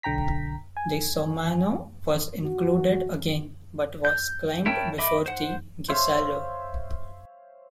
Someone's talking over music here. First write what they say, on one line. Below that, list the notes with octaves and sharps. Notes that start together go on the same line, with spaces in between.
The Sormano was included again, but was climbed before the Ghisallo.
B1 D3 G5 A#5 B6
G#5
F#4
G6
E4 A#4 C#5 G5 A5
D#5 E5 B5 D6
C5 F#5
C5 C#5 E5 F5